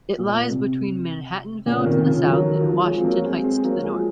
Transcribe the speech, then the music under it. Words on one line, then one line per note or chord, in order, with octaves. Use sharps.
It lies between Manhattanville to the south and Washington Heights to the north.
A#2
C3
A#2 C#3
C3 D#3
C#3 F3
D#3 F#3
D#3
F3
F#3
F3 G#3
C4
F#3 A#3
G#3 C4
G#3 C4
F#3 A#3
F3 G#3